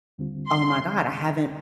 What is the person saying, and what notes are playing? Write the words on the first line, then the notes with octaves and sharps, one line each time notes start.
"Oh my god. I haven't"
D#2 D3 G3 C4 F4
C6